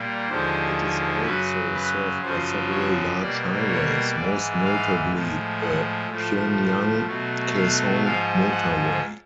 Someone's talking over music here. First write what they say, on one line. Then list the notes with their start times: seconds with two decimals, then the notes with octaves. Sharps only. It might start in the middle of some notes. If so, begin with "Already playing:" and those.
It is also served by several large highways, most notably the Pyongyang-Kaesong Motorway.
Already playing: A#2 G3 A#3
0.29 D#2 D3 F3 G#3 C5
1.25 F#2 C#3 F#3 B4
1.74 B4
2.22 F#2 C#3 F3 C5
2.71 C#5
3.19 B2 G3 A#3 D5
3.68 C#5
4.15 G#2 E3 G#3 D5
4.64 F5
5.12 A2 F3 G#3
5.62 F#5
6.10 A2 F3 A3
7.06 B2 F#3 A3
7.54 F5
8.03 G#2 F3 G#3 F5
8.51 F#5